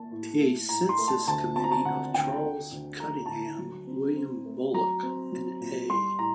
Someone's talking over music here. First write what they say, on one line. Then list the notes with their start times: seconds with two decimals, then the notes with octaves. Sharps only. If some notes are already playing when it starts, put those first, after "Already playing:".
A census committee of Charles Cunningham, William Bullock and A.
Already playing: A#3 A5
0.11 A2
0.40 A3
0.69 A2 A#5
0.89 C6
0.98 A3
1.08 A5
1.28 D2 A5
1.56 C4 A5
1.64 A#5
1.71 A5
1.85 D2 F#5
2.14 D2 G5
2.43 D3
2.72 D2
3.00 A3 A#5
3.26 A5
3.29 D2 A#5
3.58 F#3
3.87 C4
4.16 C4
4.45 A3
4.74 F#3 A#5
5.03 C4
5.32 F#3
5.61 A#2
5.90 G3 C6
6.19 A2 A#5